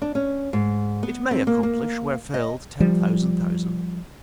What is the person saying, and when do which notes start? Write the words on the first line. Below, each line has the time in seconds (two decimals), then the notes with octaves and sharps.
It may accomplish where failed ten thousand thousand.
0.02 D4
0.15 C#4
0.53 G#2
1.03 B3
1.31 C4
1.47 A#3
1.63 A#3
2.34 D#5
2.80 F3 G3